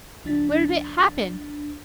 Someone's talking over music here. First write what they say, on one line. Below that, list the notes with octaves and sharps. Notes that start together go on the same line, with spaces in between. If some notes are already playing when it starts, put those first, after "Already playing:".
Where did it happen?
C#2 F3 D4 A6 B6